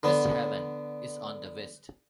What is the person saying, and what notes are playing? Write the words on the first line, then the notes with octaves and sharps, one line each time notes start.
West Haven is on the west.
D3 B3